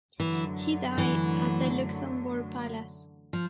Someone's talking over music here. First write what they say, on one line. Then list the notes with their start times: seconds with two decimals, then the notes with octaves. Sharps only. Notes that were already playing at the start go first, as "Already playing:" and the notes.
He died at the Luxembourg Palace.
0.20 F#2 D3 E3 F#3 A3
0.98 E3
3.33 F3